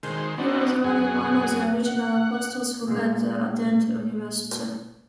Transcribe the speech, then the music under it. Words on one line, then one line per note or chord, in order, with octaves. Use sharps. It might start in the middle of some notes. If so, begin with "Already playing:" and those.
He was the only one of the original apostles who had attended university.
D#3 G#3 C5
B3 C4 D4 D#4 F#4
F#2 G#4 F#5
F#5
A#2 G#3